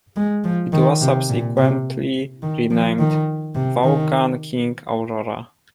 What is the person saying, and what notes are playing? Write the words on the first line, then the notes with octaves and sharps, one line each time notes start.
It was subsequently renamed "Vaughan-King-Aurora".
G#3
F3
D#3
C3
A#2
C3
D#3
F3
D#3
C3
D#3